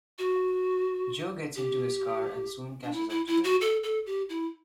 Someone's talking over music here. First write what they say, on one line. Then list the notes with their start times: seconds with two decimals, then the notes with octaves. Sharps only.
Joe gets into his car and soon catches up to them.
0.19 F#4
1.56 G4
2.83 D4
2.93 E4
3.10 E4
3.27 E4
3.44 F#4
3.61 A4
3.83 A4
4.06 G4
4.29 E4